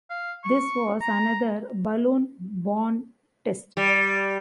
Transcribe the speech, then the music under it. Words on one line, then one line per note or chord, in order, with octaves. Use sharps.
This was another balloon-borne test.
F5
C#6
A#5
G3